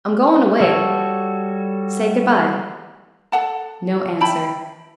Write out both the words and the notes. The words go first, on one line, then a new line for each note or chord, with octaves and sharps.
I'm going away; say good-by.' No answer.
G3 F#4 A4 C#5
A4 F#5 A5
E4 G5 A5 B5